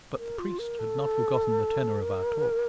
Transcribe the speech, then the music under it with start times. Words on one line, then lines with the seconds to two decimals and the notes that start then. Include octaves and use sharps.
But the priest had not forgotten the tenor of our talk.
0.18 A#4
0.38 F4
0.59 A#4
0.79 A4
2.02 A#4